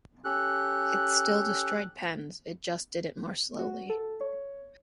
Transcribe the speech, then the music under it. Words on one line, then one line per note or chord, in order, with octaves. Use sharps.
It still destroyed pens; it just did it more slowly.
C#4 G4 A4 F#6
F#4
A4
C#5